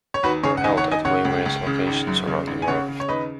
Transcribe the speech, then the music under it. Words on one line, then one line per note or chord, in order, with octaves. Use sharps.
They are held at various locations around the world.
C#5
D#2 F#4 B4
C#3 G#4 C#5
F#5
D#2 D#5 G#5
C#5 F#5
D#2
D#5 G#5
C#3 C#5 F#5
C#2
C#2
C#3
G#1
F#2
C#3
G#1
G#5
C#3 C#5 F#5
C#3
C#5
D#2 B4 D#5